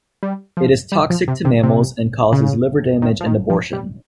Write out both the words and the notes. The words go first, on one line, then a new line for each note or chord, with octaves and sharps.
It is toxic to mammals and causes liver damage and abortion.
G3
F3
G3
F3
C3
C3
C3
C#3
D#3
F3
D#3
F3
G3